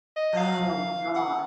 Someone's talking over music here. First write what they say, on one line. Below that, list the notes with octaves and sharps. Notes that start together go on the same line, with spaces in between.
Oh god.
D#5
F5
F#5